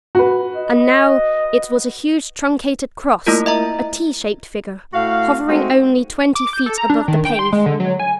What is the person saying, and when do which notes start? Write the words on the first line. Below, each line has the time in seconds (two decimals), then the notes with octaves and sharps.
And now it was a huge truncated cross, a T-shaped figure, hovering only twenty feet above the pave.
0.15 F#4 B4
0.57 D#5
3.26 A3 A#3 E4 F4 A#4
3.46 D#5 E5 A#5
4.94 A2 F#4 F5
5.48 G#3 A3 C4 D#4 F#4
6.35 D6
6.53 G6
6.66 A4
6.78 A#5
6.90 D4
7.08 D#3
7.25 G5
7.39 C6
7.53 G#3
7.66 D3
7.80 F#3
7.99 G#5